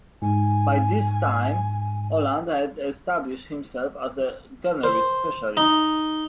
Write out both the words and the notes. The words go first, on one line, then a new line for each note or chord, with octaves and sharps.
By this time, Holland had established himself as a gunnery specialist.
G#2 G#5
C5
D#4